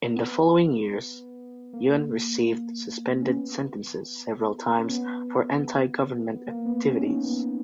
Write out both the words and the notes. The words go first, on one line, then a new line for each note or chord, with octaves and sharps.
In the following years, Yun received suspended sentences several times for anti-government activities.
B3
A#3
C#4
B3
C#4
B3
A#3
B3
C#4
D#4
C#4
B3